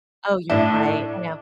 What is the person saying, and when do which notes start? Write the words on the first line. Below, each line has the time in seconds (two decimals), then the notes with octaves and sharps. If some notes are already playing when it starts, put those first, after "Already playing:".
Oh, you're right. I know.
0.50 A2 A3 D4 E4